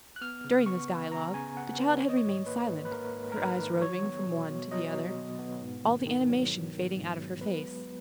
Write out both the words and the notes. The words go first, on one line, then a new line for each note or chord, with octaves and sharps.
During this dialogue the child had remained silent, her eyes roving from one to the other, all the animation fading out of her face.
F#6
B3 F6
C#3
B3 C#6
B3
C#3 A#5
C#3 G#5
B3 F#5
B3 B4
D#3 C#5
D#5
C#5
G#2
A#3 B4
G#2
B4
A#3 A#4
G#2
A#4
G#2 B4
D#3
F#3 C#5
B3
B2
B2
F#3 D#5
F#3
B2
B3
G#2
D#3
D#3
F#3
D#3
D#3
G#2
F#3
B3 B4
G#3